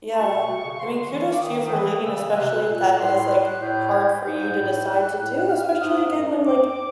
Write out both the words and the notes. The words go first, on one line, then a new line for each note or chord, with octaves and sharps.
Yeah. I mean, kudos to you for leaving, especially if that is, like, hard for you to decide to do, especially again when, like,
C6
B2 C#6
B2
C#3
D3 C6
E3 C#6
D6
D#3 D#6
D#3
E3 D#6
C#3 E6
C3 F#6
B2
A#2
A2 C6
F#6
A2 G6
G#6
G#2 G6
G#2
A2
F#6
A2
F6
G#2 D#6
F#2
D6